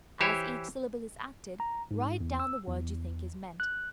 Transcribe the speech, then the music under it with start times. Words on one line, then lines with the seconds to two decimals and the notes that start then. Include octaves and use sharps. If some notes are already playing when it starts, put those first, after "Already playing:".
As each syllable is acted, write down the word you think is meant.
0.21 E3 E4 G4 C5 C#5
1.60 A#5
1.91 G#2
2.21 E2
2.40 E6
2.68 E2
3.60 F#6